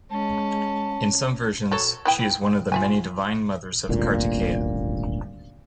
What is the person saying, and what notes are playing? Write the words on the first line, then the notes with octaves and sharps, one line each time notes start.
In some versions, she is one of the many divine mothers of Kartikeya.
G#3 C#4 A5
F#3 A4 C#5
B3 E4 G5
F4 E5 G#5
D#1 G#1 D2 A#2